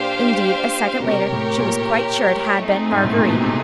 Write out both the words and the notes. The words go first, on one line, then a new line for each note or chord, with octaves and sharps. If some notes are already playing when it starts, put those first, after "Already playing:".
Indeed, a second later, she was quite sure it had been Marguerite.
Already playing: A#2 D4 G4 C5 F5
B2
C3 G4 A#4 C#5
A2
A#2
A3 C4 D#4 G#4
G#2
A2
A#2
B2
C3